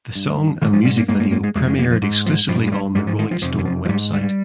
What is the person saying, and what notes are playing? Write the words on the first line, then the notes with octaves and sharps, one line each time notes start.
The song and music video premiered exclusively on the "Rolling Stone" website.
G2
G#2 D#3
F3
G3
A#3
G#2 A#3
A#3
A#3
G#3
F2 C#3 G#3
G#3
A#3
F3
G#2
F3
G2 F3
G#3
G3
G#2 G3
F3
D#3
F3
F2 C3 F3
D#3
F3
F3
G#2 G3
G3